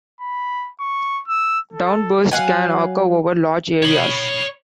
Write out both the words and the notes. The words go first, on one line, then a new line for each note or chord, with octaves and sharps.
Downbursts can occur over large areas.
B5
C#6
E6
A4
F#3 F5 F#5 G#5
C#5 B5